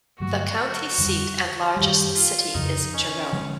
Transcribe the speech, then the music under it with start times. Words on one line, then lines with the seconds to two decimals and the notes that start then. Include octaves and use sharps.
The county seat and largest city is Jerome.
0.19 G2 D3 F#3 A3 F#4
0.98 F2 D3 G3
1.76 F#2 D#3 G3 G4
2.15 F4
2.55 F2 C#3 F3 D#4
2.94 C#4
3.32 D3 F3 G#3